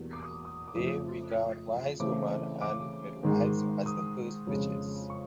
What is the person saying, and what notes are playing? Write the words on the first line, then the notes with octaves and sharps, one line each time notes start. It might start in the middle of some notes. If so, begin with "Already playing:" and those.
They regard wise women and midwives as the first witches.
Already playing: E2 B2 G3 A#3
D6
D#6
D6
D#6
D6
F2 C#3 F3 A3 D#6
C#3 E3 A3 C4 D6
D6
G#2 D#3 G#3
D#6
F2 C#3 F3 G#3
C#6